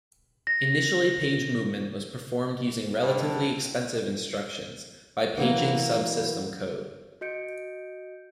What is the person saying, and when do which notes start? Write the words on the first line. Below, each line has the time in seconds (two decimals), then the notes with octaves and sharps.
Initially page movement was performed using relatively expensive instructions, by paging subsystem code.
0.47 A#6
3.03 G2 D3
5.37 E3 F#3 A#3
7.21 F#4 D#5 G6 C#7 D7